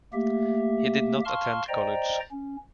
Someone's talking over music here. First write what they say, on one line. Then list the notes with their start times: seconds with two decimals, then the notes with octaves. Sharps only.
He did not attend college.
0.13 A3 A#3 G4 E5
1.25 F5 A5 C6 C#6 F6
1.68 C5 D5 D#5 G5 A#5
2.31 C#4